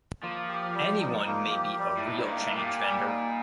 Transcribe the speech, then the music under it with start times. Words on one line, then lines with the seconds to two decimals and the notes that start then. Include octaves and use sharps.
Anyone may be a "Real Change" vendor.
0.22 F3 A#3
0.48 G4
0.75 G3
1.00 D#4
1.27 A#3
1.52 G4
1.79 G3
1.97 A2
2.04 D#4
2.18 G2
2.29 A#3
2.36 A2
2.56 A#2 G4
2.82 G3
3.07 D#4